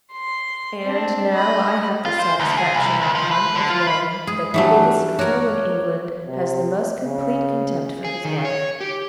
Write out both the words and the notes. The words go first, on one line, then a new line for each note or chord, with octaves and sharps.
"And now I have the satisfaction, Armand, of knowing that the biggest fool in England has the most complete contempt for his wife."
C6
C4 D4
D#5 B5
F4
C5
D2
G#4
C2
D2
F3
B4
D3
F4
B5
G#3 G#4
E3 F#3 G3 A3 D4 F#4
F#4 A#4 C#5 D5
C3
C#3
G#4
D#3
C#5
G4